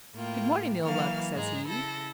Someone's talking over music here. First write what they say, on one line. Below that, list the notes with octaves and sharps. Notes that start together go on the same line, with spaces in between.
"Good-morning, Ill-Luck," says he.
A2 A#3 F4 G5
E3 F#3 A#3 F5 F6
G#2 G#3 G#4 A#5
C#3 E4 A4 A#6